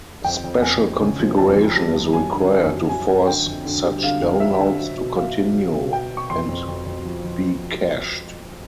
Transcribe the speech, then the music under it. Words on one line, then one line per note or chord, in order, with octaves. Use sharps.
Special configuration is required to force such downloads to continue and be cached.
F2 G5
F2
F2 G#5
F2
C#3
F3
F2 A5
F3
G3
G3
F#2 G#5
D3
F#2
F#2
F#2 G#5
F#2
D3 G5
F2
D3
G3
D3 F5
F2
F2 E5
D3
F#3
B2
F#3 F5
F#3
B2
B2
B2 G5
B2
C#6
F2 C6
F2
F2
F2
F3
F3